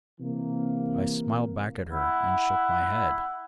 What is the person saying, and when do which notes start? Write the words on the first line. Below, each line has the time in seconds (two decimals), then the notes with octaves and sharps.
I smiled back at her, and shook my head.
0.21 C3 E3 A#3
1.92 E4 F#5